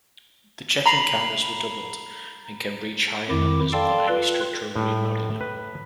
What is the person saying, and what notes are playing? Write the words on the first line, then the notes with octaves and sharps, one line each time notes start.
The check-in counters were doubled and can reach higher numbers without any structural remodeling.
A#5 B5 C7
F2 D#3 E4 D6
A4 D5 F5 G5 A5 C6
F4 B4
A2
B4